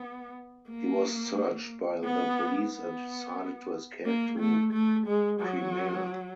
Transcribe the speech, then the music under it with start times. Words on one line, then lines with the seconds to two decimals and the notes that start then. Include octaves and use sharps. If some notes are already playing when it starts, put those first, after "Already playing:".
He was searched by the police and decided to escape to Crimea.
Already playing: B3
0.71 A#3
2.04 B3
2.72 B3
4.06 A#3
4.39 A3
4.73 A3
5.07 G#3
5.41 F#3